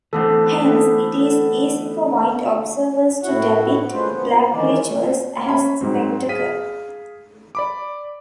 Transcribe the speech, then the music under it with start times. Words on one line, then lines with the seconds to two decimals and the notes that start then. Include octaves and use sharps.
Hence it is easy for white observers to depict black rituals as spectacle.
0.13 D3 E3 A3 B3 C4 D4 A4
3.22 A2 E4 F#4 F#5
3.92 F#3 G#3 A3 F4 B4 C5
4.12 A#2 F3 B3
4.52 D#3 E3 G#3 C#4 D5
5.46 C#4 B5
5.81 G#2 F#3 C4
6.29 G#4 F5 B6 D#7
7.55 D5 B5 D6